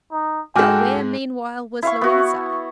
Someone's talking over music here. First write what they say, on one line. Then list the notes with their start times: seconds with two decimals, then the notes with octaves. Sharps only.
But where, meanwhile, was Louisa?
0.12 D#4
0.56 G#2 G#3 F#4 A4 G5 G#5 D6 F6
1.82 E4 F5 C#6
2.01 B3 F#4